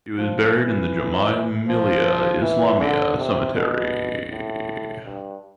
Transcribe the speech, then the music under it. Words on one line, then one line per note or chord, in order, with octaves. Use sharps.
He was buried in the Jamia Millia Islamia cemetery.
F3
E3
F3
E3
D3
C3
B2
A2
G2